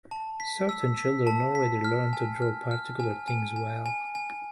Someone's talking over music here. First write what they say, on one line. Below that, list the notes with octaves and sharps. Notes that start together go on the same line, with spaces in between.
Certain children already learned to draw particular things well.
A5
B6
E6
B6
A5
B6
F6
G#5
F6
F6
G#5
G#5
G#5
G#5
G#5